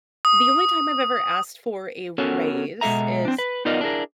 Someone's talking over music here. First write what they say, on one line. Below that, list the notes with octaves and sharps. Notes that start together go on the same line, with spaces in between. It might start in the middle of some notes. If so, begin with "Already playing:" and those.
the only time I've ever asked for a raise is
D#6
B3 C#4 F#4 A4 A#4 C#5
B2 G#3 F#4 A4 E5 A#5
C4 D4
B4
B3 D#4 F4 A#4 D5 D#5
D4 E4 G#4 A#4